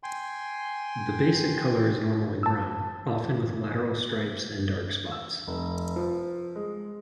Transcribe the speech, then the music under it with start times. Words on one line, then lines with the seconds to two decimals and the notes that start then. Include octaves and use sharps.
The basic colour is normally brown, often with lateral stripes and dark spots.
0.03 G5 G#5 C6
2.43 A5 E6
5.12 E6
5.47 F1
5.96 F3
6.56 G#3